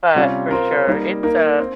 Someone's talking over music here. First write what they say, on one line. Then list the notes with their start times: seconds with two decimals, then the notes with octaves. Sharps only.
but for sure, it's, uh
0.15 C3 G3 C#4 F4
0.51 C4 F4 A#4
0.87 G3 A#3 D#4
1.23 A#3 D#4 A#4
1.59 C4